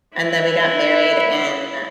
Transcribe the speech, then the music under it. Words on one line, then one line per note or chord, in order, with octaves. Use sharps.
and then we got married in
E4 B4